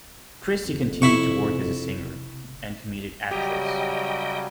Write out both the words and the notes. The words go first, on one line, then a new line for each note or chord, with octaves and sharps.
Christie continued to work as a singer and comedic actress.
F2
C3 E4 C#6
C#3 F#3 G3 G4 D#5 G5